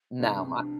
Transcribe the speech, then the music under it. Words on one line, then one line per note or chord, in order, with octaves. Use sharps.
No, I
C2 C3 F3 G#3 B3 D#4
D4
C4
D4